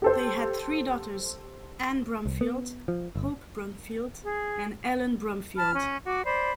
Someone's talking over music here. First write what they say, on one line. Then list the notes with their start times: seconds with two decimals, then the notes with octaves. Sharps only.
They had three daughters, Ann Bromfield, Hope Bromfield and Ellen Bromfield.
0.02 G4 A4 C5
2.26 C2
2.41 B3
2.88 F3
3.16 G1
4.24 G#4
5.55 A5 B5 F6
5.74 C#4
6.06 F#4 D6
6.24 C5 D5 B5